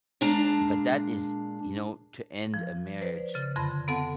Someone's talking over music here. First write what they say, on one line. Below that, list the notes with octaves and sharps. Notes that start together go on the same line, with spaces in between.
but that is you know, to end a marriage,
A#2 G#3 D4 A5 A#5
F3
B4 C5 D5
C#3 A6
F2 D3 B5 C6 A#6
B3 C4 A4 F#5 A5